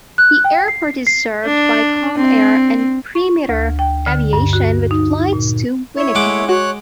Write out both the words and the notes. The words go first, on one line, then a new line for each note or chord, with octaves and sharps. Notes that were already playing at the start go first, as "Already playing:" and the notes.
The airport is served by Calm Air and Perimeter Aviation with flights to Winnipeg.
F#6
G5
C7
C7
D4
C4
C#6
D2
G5
D3
G2
F#4
D#4
A#2
E4 C#5
G#3 F#5 D6
F#4 C#5 F#6